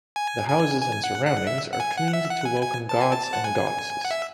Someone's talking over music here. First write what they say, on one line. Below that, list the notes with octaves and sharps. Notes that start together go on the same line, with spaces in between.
The houses and surroundings are cleaned to welcome gods and goddesses.
G#5
G#5
G#5
F#5
F#5
E5
F#5
G#5
F#5
E5
F#5
G#5
G#5
A5
G#5
A5
F#5
G#5
F#5
E5